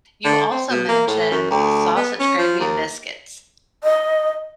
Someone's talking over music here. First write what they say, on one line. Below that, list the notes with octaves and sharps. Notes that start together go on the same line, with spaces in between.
You also mentioned, sausage gravy and biscuits.
D3
C4
B2
A#3
A2
F#2
D2
B3
C#4
F3
D#2
D#5